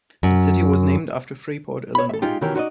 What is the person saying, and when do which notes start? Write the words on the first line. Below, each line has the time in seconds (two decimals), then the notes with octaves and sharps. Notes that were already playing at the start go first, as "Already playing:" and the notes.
The city was named after Freeport, Illinois.
0.23 F#2
1.95 C#5 B5
2.09 A4 E5
2.22 G#3 D#4 F4 G4
2.41 B2 D#3 E3 C#4 G4 A#4
2.55 D#4 F#4 B4 D5 D#5